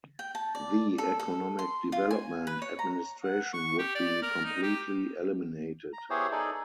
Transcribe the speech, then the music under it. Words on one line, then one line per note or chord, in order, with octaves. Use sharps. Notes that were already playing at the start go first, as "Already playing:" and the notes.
The Economic Development Administration would be completely eliminated.
G5
A5
D5
A4
A4
C6
F4
G#5
B4
C#5
A#5
F#5
C#6
G4
D5
A#4
D#4
G4
A#5
B3 E4 G4 G#4 C5 C#5
D#4 G#4 A4 D5